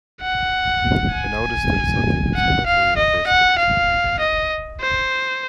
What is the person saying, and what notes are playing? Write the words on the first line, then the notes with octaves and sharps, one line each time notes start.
I noticed that its occupants carefully reversed it before leaving it.
F#5
G#5
F#5
F5
D#5
F#5
F5
D#5
C5